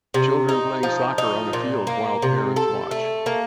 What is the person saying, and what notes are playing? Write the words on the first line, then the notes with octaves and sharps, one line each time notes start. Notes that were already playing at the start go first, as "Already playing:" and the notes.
Children playing soccer on a field while parents watch.
C3
D#4
F3
D#4
A#2
A#3
C3
A4
A3
A#3